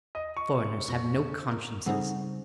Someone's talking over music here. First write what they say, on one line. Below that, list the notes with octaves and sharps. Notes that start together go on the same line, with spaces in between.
Foreigners have no consciences.
D#5
C#6
F2 B2 A#6
A#4
C#3 G3 C4 D#4 G#4 A4 C5 F#5